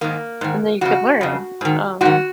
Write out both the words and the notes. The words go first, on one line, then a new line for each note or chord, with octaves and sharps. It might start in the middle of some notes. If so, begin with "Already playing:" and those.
and then you could learn, um.
G#2 D#3 A#3
G#2 D#3
F2 C#3 F#4
F2 C#3
G#2 D#3
G#2 D#3 F#4